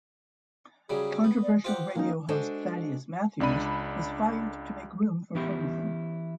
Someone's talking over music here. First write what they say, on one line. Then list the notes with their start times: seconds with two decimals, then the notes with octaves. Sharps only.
Controversial radio host Thaddeus Matthews was fired to make room for Ferguson.
0.90 C#3 F#3 G3 G#4
1.24 B3 D#5
1.43 D5
1.64 F4 G4 C5 F#5
1.95 D#3 A#3 C#4 D#4
2.28 G#3 D4 F#4 A4 C5 D#5
3.40 C#2 D4 D5 B5 D#7
5.35 E3 B3 C#4 E4 G4 C5